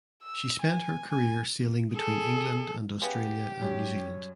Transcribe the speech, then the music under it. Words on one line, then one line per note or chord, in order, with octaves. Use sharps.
She spent her career sailing between England and Australia and New Zealand.
E6
G#5
G#5
G#4 A4
C#3 B3 G4
F#2 G3 C#5